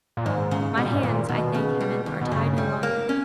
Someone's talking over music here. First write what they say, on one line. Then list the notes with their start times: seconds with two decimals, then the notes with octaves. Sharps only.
My hands, I thank Heaven, are tied no longer.
0.17 A#2
0.26 D#2 G#2
0.51 C#3
0.77 B2 G3
0.86 A#2
0.94 G#2
1.03 D#2 A#2
1.29 D#2 B2
1.54 C#3
1.81 G3
2.06 D#2
2.21 B2
2.32 G2 C#3
2.58 G3
2.83 A#3
3.09 C#4